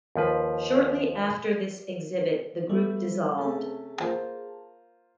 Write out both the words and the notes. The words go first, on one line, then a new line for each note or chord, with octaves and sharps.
Shortly after this exhibit, the group dissolved.
D#2 F3 B4
G3 A3 B3 G4
C3 A3 C#4 G#4 A5
A#3 F4 C5